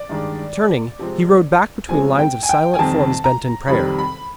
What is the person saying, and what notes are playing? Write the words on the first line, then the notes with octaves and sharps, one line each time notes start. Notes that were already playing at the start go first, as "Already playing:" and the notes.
Turning, he rode back between lines of silent forms bent in prayer.
Already playing: D5
G2 D#3 G#3
C3 F3 G#3 C4
C3 F3 G#3 C4 G#5
G5
G#5
G5
G#5
F2 C3 D#3 G3 A5
A#5
F2 C3 D#3 G3 B5
B5